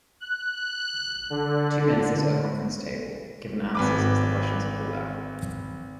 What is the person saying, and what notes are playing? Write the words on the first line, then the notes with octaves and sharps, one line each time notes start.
Two men sit at table at a conference given answers as the questions are called out.
F#6
F#6
D3
G#1 B4 D6